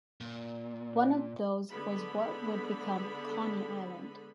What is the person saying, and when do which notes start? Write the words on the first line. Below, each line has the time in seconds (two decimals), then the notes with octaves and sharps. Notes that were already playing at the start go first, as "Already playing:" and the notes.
One of those was what would become "Coney Island".
0.21 A#2
1.70 D3 G#3 B3 A4 B5